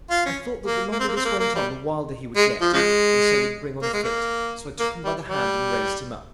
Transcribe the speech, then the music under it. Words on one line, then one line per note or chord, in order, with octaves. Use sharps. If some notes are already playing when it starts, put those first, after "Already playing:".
I thought that the longer this went on the wilder he would get, and so would bring on a fit; so I took him by the hand and raised him up.
F4
C#4
A#3
A#3
C4
A#3
C4
A#3
A#3
G3
G#3
F3
C#3 F3 G#3
A#3
G#3
A#3
A#3
G3
G3